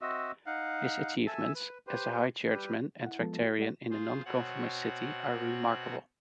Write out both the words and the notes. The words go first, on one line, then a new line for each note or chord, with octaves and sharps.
His achievements, as a High Churchman and Tractarian in a non-conformist city are remarkable.
C4 F#4 D#5 E5
D#4 F5 F#5
A4 E5 G#5 A5
B4
G4 B4 C5
G3 G4 B4
E4 F#5
F3 G#3 B3 F4 A4 A5
F#4
G#3 G4 A4 D5 F#5
F4 G#4 C5
B2 C4 F#4 C#5 F#5